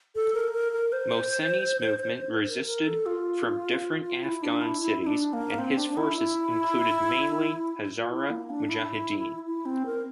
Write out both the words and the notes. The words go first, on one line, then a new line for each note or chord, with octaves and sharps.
Mohseni's movement resisted from different Afghan cities and his forces included mainly Hazara Mujahideen.
A4
A#4
A#4
A#4
C5
A#4
A#4
A4
F4
F4
E4
D4
E4
E4
E4
D4
A#3
C4
D4
D4
E4
E4
F4
E4
A#3
D4
E4
E4
C4
A#4